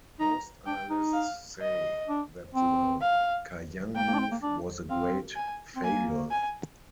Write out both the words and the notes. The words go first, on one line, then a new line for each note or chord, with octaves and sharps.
Most analysts say that the Kajang Move was a great failure.
D#4 A#5
D4 G5
D#4
F5
D#5
D4
C4
F5
A#3 G5
A#3
D4
C4
A#3
D4
C4 F5
G#5
C4
A#3 G#5
G#5